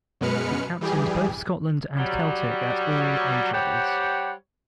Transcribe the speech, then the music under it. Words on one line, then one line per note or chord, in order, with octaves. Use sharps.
He captained both Scotland and Celtic at all age levels.
F#2 B2 G#3 B4 F6 C#7
E3 G3 G4 G#4
F#3 G3
G3 G4 C5 C#5 F#5